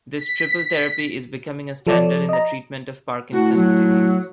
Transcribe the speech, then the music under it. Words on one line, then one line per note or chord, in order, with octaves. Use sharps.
This "triple therapy" is becoming a standard in the treatment of Parkinson's disease.
B6
F3 A4 C#5 D5
D#5 A#5
A2 F#4
F#3